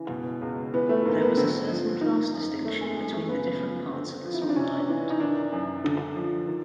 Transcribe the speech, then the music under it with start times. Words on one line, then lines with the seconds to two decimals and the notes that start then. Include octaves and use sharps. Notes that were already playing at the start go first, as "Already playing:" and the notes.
There was a certain class distinction between the different parts of the small island.
Already playing: C#3 E3
0.09 B2
0.41 C#2
0.73 E3 B3
0.89 A3
1.05 G#2 A#3
1.21 B3
1.37 D3 C4
1.69 F3
2.01 D#3 D#4
2.33 F#2
2.65 D#3 A3
2.81 G#3
2.97 F#2 G#3
3.13 A3
3.29 C#3 B3
3.61 F3
3.92 D3 C4
4.24 F3 F4
4.33 E4
4.42 D#4
4.49 D4
4.56 C3 C#4
4.78 D4
4.88 E3
5.10 D#4
5.20 D#3 D4
5.52 F#2
5.84 D3
6.16 F3
6.47 D#3